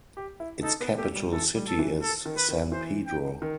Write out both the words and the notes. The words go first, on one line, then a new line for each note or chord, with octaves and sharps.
Its capital city is San Pedro.
G4
E4
D#4 A4
B3
A3 G4
G3
E3 A4
G3
A4
E3
A4
D#3
B4
D#3
E3 C5
G5
D#3